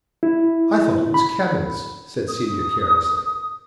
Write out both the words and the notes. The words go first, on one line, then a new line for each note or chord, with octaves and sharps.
"I thought it was 'camels,'" said Celia carelessly.
E4
B5
D#6